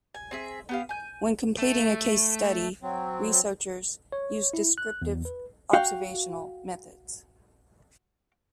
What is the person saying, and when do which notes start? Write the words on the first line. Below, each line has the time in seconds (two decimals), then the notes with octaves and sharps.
When completing a case study, researchers use descriptive observational methods.
0.14 G#5
0.31 C4 G#4 E5
0.69 B3 G4 F5
0.89 G#5 G6
1.58 A3
2.83 F#3 C4
4.12 C#5
4.53 E4
4.78 F#6
5.02 E2
5.25 B4
5.73 F#4 F5 G5